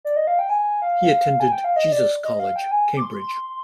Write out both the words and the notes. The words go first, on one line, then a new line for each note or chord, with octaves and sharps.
He attended Jesus College, Cambridge.
D5
D#5
F5
G5
G#5
F5
G#5
G5
F5
D#5
D5
D#5
F5
G5
G#5
D6
C6